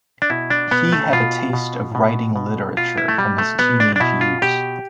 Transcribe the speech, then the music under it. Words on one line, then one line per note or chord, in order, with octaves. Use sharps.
He had a taste of writing literature from his teenage years.
D4
B2 E4
D4
B2 B3
A3
B2 F4
B2
B2
B2
B2 F4
E4
A3
B2 G3
A3
B2 B3
D4
D4
B2 E4
F4
B2 G4